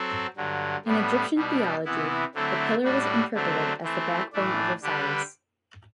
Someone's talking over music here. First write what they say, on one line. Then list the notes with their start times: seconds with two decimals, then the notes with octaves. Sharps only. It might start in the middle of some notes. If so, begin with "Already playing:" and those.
In Egyptian theology, the pillar was interpreted as the backbone of Osiris.
Already playing: F#3 C4 F#4 A4
0.36 G2 D3 F#3
0.85 A2 G3 B3 D4
1.35 B2 G3 D4
1.85 C3 E3 B3 E4
2.34 D3 F#3 A3 C4 E4
2.84 A2 G3 D4 F#4 A4
3.34 D3 F#3 A3 C4
3.83 E3 A3 C4
4.33 A2 E3 A3 D4
4.82 D3 G3 D4 G4 B4